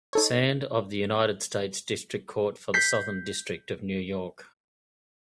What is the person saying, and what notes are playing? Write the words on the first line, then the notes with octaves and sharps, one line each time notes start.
Sand of the United States District Court for the Southern District of New York.
D#4 A4 C#5
G6 B6 C7